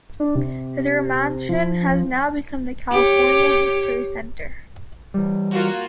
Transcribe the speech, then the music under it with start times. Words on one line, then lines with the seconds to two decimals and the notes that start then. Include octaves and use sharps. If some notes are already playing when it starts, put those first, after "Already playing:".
Their mansion has now become the California History Center.
0.20 D4
0.36 C3
1.49 F3
2.91 G4 C#5
5.14 E3 G3
5.53 A#3 F4 F#4